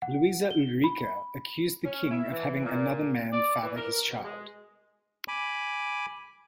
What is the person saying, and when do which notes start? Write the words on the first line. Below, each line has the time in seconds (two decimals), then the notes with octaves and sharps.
Louisa Ulrika accused the king of having another man father his child.
0.02 F#5
0.51 G7
0.84 B5
1.84 C#4
2.09 E4
2.32 E3
2.64 A#2
3.32 D5
3.62 E3
3.76 A#4
4.09 B2
4.23 G#3
5.28 G#5 B5 D6